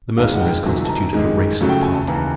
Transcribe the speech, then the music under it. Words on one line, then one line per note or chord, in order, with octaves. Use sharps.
The Mercenaries constituted a race apart.
G#1 G#2 D#3 G#3 F5
F#5
G5
G1 F2 C3 D#3 F#3 G#5
A5
A#5
A1 G#2 D#3 G#3
F2 C#3 F#3 A3
G5
G#5
A5
D#2 C#3 E3 A#5